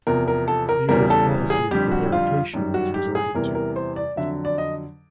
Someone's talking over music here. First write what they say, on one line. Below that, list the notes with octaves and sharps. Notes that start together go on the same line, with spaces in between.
The old policy of prevarication was resorted to.
E2 C3 F3 A#4
A#4
A4
A#4
E2 C#3 E3 G3 A#4
A4
G#4
F2 D3 G3 G4
F#4
F4
F#2 D#3 G3
F#4
G4
G#4
E2 C3 E3 G3 A#4
A#4
C5
D5
F2 D3 F#3 E5
D5
D#5